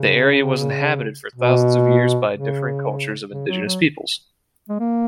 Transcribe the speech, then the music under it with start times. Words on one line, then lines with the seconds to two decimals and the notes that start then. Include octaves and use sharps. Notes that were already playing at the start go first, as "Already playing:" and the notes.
The area was inhabited for thousands of years by differing cultures of indigenous peoples.
Already playing: C#3
1.35 B2
2.34 C#3
3.31 C#3
3.48 F#3
3.65 F#3
4.69 G#3
4.79 A#3